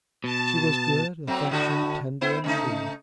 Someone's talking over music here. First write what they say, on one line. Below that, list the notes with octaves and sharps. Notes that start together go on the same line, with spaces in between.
She was good, affectionate, tender, and true.
B2 A5
F#3 A3 C4
A2 D3 F#4
B3 E4 C5
C#3 A3 D#4